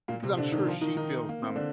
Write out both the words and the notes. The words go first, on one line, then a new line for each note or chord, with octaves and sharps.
Because I'm sure she feels some
A#2 A#3
C3 C4
D3 D4
D#3 D#4
F3 F4
D#3 D#4
D#3 D#4
A#3
C4
D3 D4